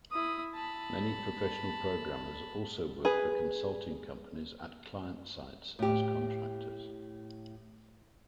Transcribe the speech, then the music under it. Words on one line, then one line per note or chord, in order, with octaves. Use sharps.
Many professional programmers also work for consulting companies at client sites as contractors.
E4 D#6
A5 B5
G#4 B4
A2 G4